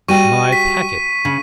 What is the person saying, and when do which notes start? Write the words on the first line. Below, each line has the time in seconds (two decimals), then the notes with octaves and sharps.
"My packet?"
0.08 G3 F#4 G5 C#6 D#7
0.52 B6
1.25 C#3